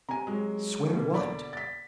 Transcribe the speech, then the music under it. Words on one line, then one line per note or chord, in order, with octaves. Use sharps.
"Swear what?"
C3 G#5 A#5
F#3 G#3
B2 D3 A#3
D5 B5 D6
A6 B6